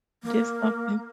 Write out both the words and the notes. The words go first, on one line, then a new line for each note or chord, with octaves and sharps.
just something
A#3